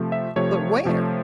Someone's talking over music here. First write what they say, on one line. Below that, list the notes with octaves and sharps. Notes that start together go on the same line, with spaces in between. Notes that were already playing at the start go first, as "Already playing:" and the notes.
But where?
Already playing: C3 F3 A3
E5
C3 F3 A3 C#5
C3 F3 A3